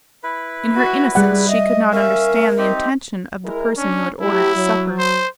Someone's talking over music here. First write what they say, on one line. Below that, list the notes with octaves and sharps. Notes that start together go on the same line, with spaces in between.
In her innocence, she could not understand the intention of the person who had ordered the supper.
E4 B4
F#4
G3 G#4 D5 F#5
D#5 E5
C#4 A#4 E5 F5
C4 D#4 G4
G#3 E4 A#4
C#4 D4
F#3 A3 E4 G4
F#3
C5